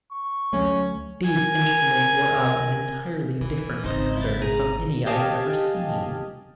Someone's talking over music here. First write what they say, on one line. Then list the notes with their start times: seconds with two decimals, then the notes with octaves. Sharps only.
These instruments were of an entirely different pattern from any I had ever seen.
0.11 C#6
0.53 D2 F#3 A3 C#4
1.25 A#4 G#5
3.41 E3 B3
3.84 G#1 C#3 D#4 C5 D#5
4.17 E4 A6
4.42 G#4 A#5
5.06 G4 D#5 F5 G#5 A5